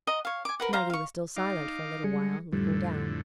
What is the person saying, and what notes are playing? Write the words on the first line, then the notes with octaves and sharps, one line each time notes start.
Maggie was still silent for a little while, looking down.
D#5 F#5 A#5
C#5 F5
G#5 D6
A#4 B4 F#5
C5 F5 A#5
F5 C#6
D#4 F5 D6
G3 G#3 G#4 C#7
F2 A2 D3 G3